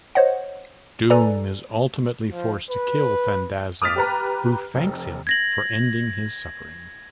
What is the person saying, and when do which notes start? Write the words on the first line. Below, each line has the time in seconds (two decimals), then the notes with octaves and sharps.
Doom is ultimately forced to kill Thandaza, who thanks him for ending his suffering.
0.15 C5 C#5 D#5 F#5
1.10 A4 B4 D5 G#5 A#5
2.32 F3
2.70 B4
3.82 D6 D#6 F6 A6 B6
3.96 G4 B4 A#5
4.75 F1
5.27 G#6 A#6 F#7